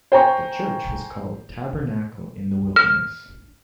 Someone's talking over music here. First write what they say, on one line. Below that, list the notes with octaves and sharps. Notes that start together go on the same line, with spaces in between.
The church was called Tabernacle In The Wilderness.
C5 G5 G#5 A#5 C#6
F6